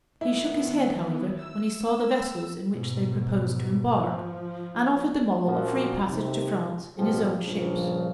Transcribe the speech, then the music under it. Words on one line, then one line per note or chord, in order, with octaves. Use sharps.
He shook his head, however, when he saw the vessels in which they proposed to embark, and offered them all a free passage to France in his own ships.
D#3 B3 E4
E6
G#2 B2
F3
F#2 A#2 F3 F#4
D#2 C3
A1 B2 F3 G4 G#4
A#1 G2 C#3 F3